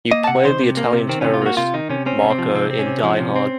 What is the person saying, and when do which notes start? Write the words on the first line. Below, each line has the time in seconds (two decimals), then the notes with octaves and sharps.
He played the Italian terrorist Marco in "Die Hard".
0.11 A#3 D#5
0.24 A5
0.28 C3 F#5
0.44 D#3 C5
0.60 C3
0.77 A#3
0.93 C3
1.09 D#3 C4
1.21 C3 C#4
1.34 F4
1.42 A#3 F#4
1.57 C3 F4
1.74 D#3 D#4
1.90 C3 C#4
2.06 C4 C#4
2.22 C3
2.30 C4
2.39 F3
2.54 C3 C4
2.71 C4
2.79 C#4
2.87 C3
3.03 F3
3.20 C3
3.36 C4